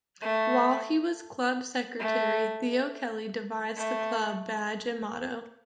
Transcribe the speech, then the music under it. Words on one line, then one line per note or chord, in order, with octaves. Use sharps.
While he was club secretary Theo Kelly devised the club badge and motto.
A3
A3
A3